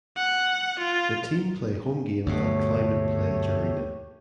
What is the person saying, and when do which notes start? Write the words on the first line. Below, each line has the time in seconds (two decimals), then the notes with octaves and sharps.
The team play home games at Climate Pledge Arena.
0.17 F#5
0.79 F4
2.26 D2 G2 B2 A3 G4 C#5